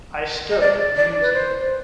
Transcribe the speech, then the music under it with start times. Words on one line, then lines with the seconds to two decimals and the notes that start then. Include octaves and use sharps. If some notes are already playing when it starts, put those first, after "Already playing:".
I stood musing.
0.50 D#5
0.60 D5
0.96 D5
1.21 B4
1.33 C5